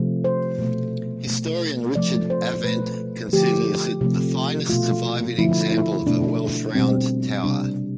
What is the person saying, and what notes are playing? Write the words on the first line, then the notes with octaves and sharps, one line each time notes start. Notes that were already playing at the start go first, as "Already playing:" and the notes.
Historian Richard Avent considers it "the finest surviving example of a Welsh round tower".
Already playing: C3 F3 A3
C5
B2 A3
B2 A3
C3 F3 A3 D5
C5
B2 A3 B4
D3 F3 A3 G4
C3 F3 A3
B2 A3 F4
D3 F3 A3 E4
E4
B2 A3 D4
B2 G3 C4
C3 G3 D4